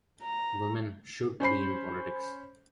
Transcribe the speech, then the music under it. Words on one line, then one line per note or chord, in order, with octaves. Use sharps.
Women should be in politics.
A#5
C#4 C5 B5 C7